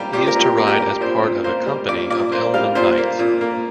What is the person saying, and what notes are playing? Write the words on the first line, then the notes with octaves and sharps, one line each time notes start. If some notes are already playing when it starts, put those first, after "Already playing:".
He is to ride as part of a company of elven knights.
Already playing: G3 A#3 G4 A#4
A#2 G4
A#4
A#2 G4
A#3 A#4
G4
A#4
G3
A#2 C5
A#2
A#3 C5
G3
A#2 D5
A#2 D5
A#3 C5
G3 F5
A#2 C5
A#3
A#2
A#3